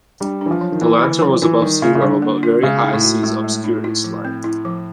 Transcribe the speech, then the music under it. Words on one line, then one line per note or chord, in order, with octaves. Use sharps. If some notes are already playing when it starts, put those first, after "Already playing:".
The lantern was above sea level but very high seas obscured its light.
G3 D4
E3 D4
F3
F#3
D#3
E3 A#3
D3
F#3
E3 F4
D#3 G3
C#3 F4
C#3
D3 G3
A#3
F4
C#3 G#3
D#4
A2
F#4
A2 G#3
G#3
D#4
E4
F3
C4
E4
F3